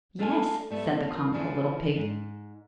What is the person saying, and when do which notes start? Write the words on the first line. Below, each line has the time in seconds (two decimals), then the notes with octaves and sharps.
"Yes," said the comical little pig.
0.19 A3 D4 F4 G#4 A4 G#5
0.70 G3 A3 B3 E5
1.09 F4 A#4
1.33 C#3 E3 F3 D4 E4 G#4
1.96 G#2